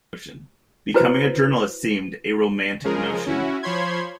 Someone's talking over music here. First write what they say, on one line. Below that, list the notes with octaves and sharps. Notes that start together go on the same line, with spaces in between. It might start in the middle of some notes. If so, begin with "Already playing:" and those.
Becoming a journalist seemed a romantic notion.
E4 F#4 B4 C5
C#3 F3 G#3 G#4 A#4
C#4 E4 F#4
F3 C5 C#5 B5 C6 G#6